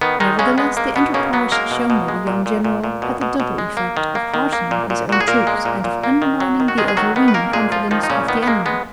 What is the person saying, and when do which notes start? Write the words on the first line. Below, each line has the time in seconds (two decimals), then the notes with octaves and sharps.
Nevertheless the enterprise shown by the young general had the double effect of heartening his own troops and of undermining the overweening confidence of the enemy.
0.01 D#3 B3
0.20 D#3 G#3 D#4
0.39 C#3 G#3 C#4
0.58 G#3 B3
0.77 A#3
0.96 B2 B3
1.14 C#3 A#3 C#4
1.33 F#3 B3
1.52 G#3 A#3 A#4
1.71 B2
1.90 B2
2.08 G#3
2.27 A#2
2.46 A#2
2.64 A#2
2.84 A#2
3.02 B2
3.21 B2
3.40 B2
3.58 G#3
3.77 A#3
3.97 D#3
4.15 A#3
4.34 D#3
4.53 A#3
4.71 A#2
4.90 A#2
5.09 A#2 F#4
5.21 G#4
5.28 A#2 A#3 A#4
5.47 G#3
5.65 A#2
5.84 A#2
6.04 A#3
6.22 D#3
6.40 F#3
6.60 D#3
6.68 F#4
6.78 D#3 G#3 G#4
6.88 G#4
6.97 D#3 F#3 F#4
7.16 D#3 B3
7.28 B4
7.34 A#3 A#4
7.53 A#2 G#3 G#4
7.72 F3 F4
7.91 D#3 F3 D#4
8.03 D#4
8.10 A#2 C#3 C#4
8.28 D#3 B3
8.43 B3
8.47 G#3 A#3
8.66 G#3 B3